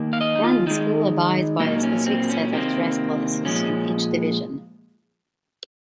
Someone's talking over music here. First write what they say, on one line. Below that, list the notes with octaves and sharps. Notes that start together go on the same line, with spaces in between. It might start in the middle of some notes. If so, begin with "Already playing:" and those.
Ranney School abides by a specific set of dress policies in each division.
Already playing: D#3 A#3
F5
D#5
D#4
F4
D#3 G#3 D#4
A#2 F#3 A#3 D#4
C#4
C4
C#4
C3 D#3 A#3 C4
A#2 F3 G#3 C#4